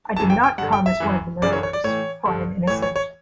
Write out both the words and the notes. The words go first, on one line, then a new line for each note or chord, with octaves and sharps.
I did not come as one of the murderers, for I am innocent.
F#2 C#3 E3 A5
G5
G5
G2 D3 F#5
G5
E5
F#2 E3
F#2 C#3 E3 D5
C#5
C#5
D5
A2 E3 C#5
G2 D3
A2 E3 C#5
C#5
C#5